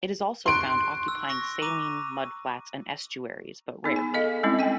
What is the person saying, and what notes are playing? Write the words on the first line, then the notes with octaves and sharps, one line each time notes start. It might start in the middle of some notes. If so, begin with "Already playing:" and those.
It is also found occupying saline mudflats and estuaries, but rarely.
C6 C#6 F#6 D7
E6
C#6 A#6
A#5 D6 D#7
B3 D#4 G#4
G#5
A4 D#5 F5
G3 G#3 C4 C#4 E4
D#5 G5 G#5